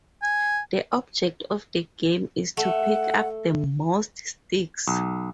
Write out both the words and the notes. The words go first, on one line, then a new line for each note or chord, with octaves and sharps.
The object of the game is to pick up the most sticks.
G#5
A3 F#5
B1